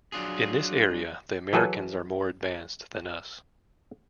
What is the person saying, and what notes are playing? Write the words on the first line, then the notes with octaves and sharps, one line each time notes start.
In this area the Americans are far more advanced than us.
F#3 D4 F4 G#4
E3 F#3 G#4 A4 B4